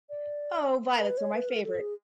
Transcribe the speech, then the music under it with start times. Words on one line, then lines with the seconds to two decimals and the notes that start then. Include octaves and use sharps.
Oh violets are my favourite!
0.10 D5
0.97 A#4
1.02 B4
1.18 C#5
1.34 B4
1.49 A#4
1.64 A4
1.80 G#4